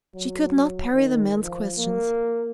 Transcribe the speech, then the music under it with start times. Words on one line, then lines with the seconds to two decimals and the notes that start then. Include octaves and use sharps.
She could not parry the man's questions.
0.15 F#3
0.93 D#3
1.43 F3
1.77 A#3